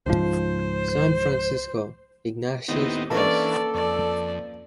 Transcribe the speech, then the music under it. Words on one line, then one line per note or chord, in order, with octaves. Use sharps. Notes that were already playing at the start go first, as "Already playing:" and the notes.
San Francisco: Ignatius Press.
C#2 G#2 F3 C5
D#2 A2 B3 C4 D#4
E3 A#3 C#4 D4 A4 B4 D5 D#5
F2 D5